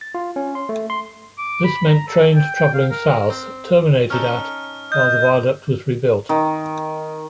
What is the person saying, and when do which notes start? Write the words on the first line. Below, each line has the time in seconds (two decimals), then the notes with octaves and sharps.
This meant trains travelling south terminated at while the viaduct was rebuilt.
0.01 A6
0.15 F4
0.36 C#4
0.55 C6
0.69 A3
0.90 C6
1.38 D6
1.64 B5
1.88 A#5
2.08 A4
2.35 G5
2.55 G5
2.74 F5
2.90 A#4
3.30 C4
4.10 C#4 D#4 A4 F6
4.92 D#5 G6
6.29 D#3